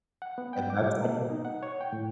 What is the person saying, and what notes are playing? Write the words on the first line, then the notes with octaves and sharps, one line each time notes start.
and that's some
F#5
B3
G5
D6
G3
A#3
B2
D#4
F#5
C#5
G5
A2